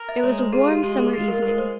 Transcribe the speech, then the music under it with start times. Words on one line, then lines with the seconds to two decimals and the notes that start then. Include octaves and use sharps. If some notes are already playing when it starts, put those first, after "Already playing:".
It was a warm, summer evening.
Already playing: A#4
0.09 E5
0.23 G#3 C#5
0.38 C5
0.52 F4 G#4
0.68 G4
0.83 G#3 G4
0.98 G#4
1.13 F4
1.28 A#4
1.43 G#3 A#4
1.58 C5